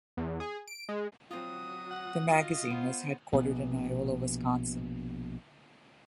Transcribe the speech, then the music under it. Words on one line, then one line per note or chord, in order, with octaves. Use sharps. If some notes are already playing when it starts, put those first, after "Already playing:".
The magazine was headquartered in Iola, Wisconsin.
E2
G#4
D7
G#3
F#3 C4 F4 F#4 D#6
F#5
F4 F#4 D#5
B3 C5 D#5
A#1 B2 B3